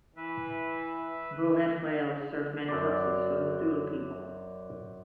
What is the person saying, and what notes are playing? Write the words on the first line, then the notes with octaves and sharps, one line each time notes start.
Bowhead whales served many purposes for the Thule people.
E3 B4 E5
F#2 C5 D5